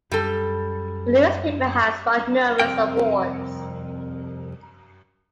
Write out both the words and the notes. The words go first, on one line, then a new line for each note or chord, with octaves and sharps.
The newspaper has won numerous awards.
F#2 G3 A4
C2 F2 G#2 C4 A#4 G5